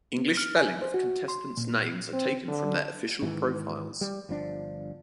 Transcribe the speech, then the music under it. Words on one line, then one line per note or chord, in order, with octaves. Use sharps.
English spelling of contestants names are taken from their official profiles.
B3
F6
G#5
C5
F#4
C6
A#2
C4
D3
G#2 D#3 E3
G3
G1 F3 D4